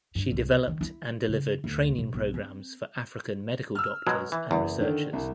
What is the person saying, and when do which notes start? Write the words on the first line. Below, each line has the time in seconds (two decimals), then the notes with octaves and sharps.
She developed and delivered training programmes for African medical doctors and researchers.
0.15 G2
0.32 C2
0.68 D#3
0.81 E4
1.28 C#3
1.64 D2
1.98 B2
2.14 B1
2.34 C4
3.75 E6 F6
4.07 B2 F#3 G#3
4.32 E3
4.51 F#1 E2
4.81 D3 D#3
5.13 C2